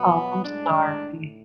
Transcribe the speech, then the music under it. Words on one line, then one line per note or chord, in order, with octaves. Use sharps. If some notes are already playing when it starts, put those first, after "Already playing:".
Oh, I'm sorry.
Already playing: B2 F#3 B3
A2 G#3 D4
A2